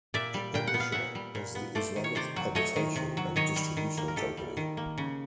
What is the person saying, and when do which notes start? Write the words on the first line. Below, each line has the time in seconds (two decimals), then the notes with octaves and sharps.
The publisher was the Islamic Publication and Distribution Company.
0.14 A#2 D5 E5
0.34 G3
0.54 A#2 G5
0.67 F#5
0.74 B3
0.80 F5
0.92 A#2 E5 F#5
1.15 G3
1.35 A#2
1.55 B3
1.75 A3 C5 D5
1.96 D#3
2.04 C#5
2.15 C3 C5 D5
2.36 F#3
2.55 A3 C#5 D#5
2.76 D#3
2.96 C3
3.17 F#3
3.36 D#3 C#5 D#5
3.56 G3
3.77 D#3
3.97 A#3
4.08 A#4
4.16 D#3 G4 A4
4.37 G3
4.57 D#3
4.77 A#3
4.98 C#3